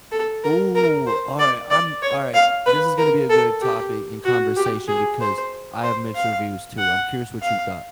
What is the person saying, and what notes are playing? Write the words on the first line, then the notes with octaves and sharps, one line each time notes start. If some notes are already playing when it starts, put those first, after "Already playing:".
Ooh, all right. I'm All right. This is gonna be a good topic in conversation because I have mixed reviews too. I'm curious what you thought.
A4
A#4
A#4
C5
D5
D5
C#5
F5
B4
A#4
A4
G4
F#4
G4
G#4
C5
C5
F5
F#5
F5